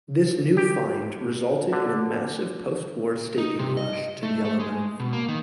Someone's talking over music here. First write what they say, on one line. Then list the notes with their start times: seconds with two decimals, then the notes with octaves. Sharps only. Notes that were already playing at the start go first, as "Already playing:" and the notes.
This new find resulted in a massive post-war staking rush to Yellowknife.
0.57 G4
1.72 D3
3.38 D#4
3.59 C3
3.77 D#5
4.23 A3
4.45 A3
4.60 G#3
5.00 B2
5.13 A#3
5.28 D#3